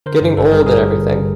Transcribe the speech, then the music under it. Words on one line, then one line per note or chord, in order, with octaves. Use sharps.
Getting old and everything.
D3 A#4 C5
G2
G#1 A4 B4
G3 G#4 A#4
G2 G#4 A#4
G3
D3
G3